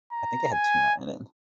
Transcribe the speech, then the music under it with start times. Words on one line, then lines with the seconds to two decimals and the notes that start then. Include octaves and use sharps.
I think it had tuna in it.
0.12 A#5
0.52 G#5